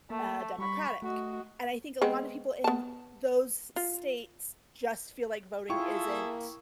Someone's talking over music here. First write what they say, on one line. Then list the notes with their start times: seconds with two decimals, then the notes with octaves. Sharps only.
uh, Democratic, and I think a lot of people in those states just feel like voting isn't
0.10 A3 A#3
0.59 G3 B5 C#6
1.02 A3 F#4 D#5
2.02 G#3 B3 C4
2.64 B3 A5
3.76 F4
5.69 E4 F4 G#4 A4 E5 G5 C#6
6.09 A#3